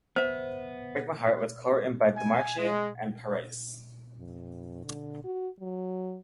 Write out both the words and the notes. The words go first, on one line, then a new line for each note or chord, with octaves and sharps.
"Break My Heart" was co-written by DeMarchi and Parise.
B3 C5 E5
G#5
G#3
F2
D3
F#4
F#3